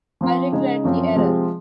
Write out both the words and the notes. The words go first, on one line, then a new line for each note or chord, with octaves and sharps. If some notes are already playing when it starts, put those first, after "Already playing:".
I regret the error.
F3 C4 F4
C#3 G#3 D#4 G#4
F#2 F3 C4
C3 F3 G#3 C4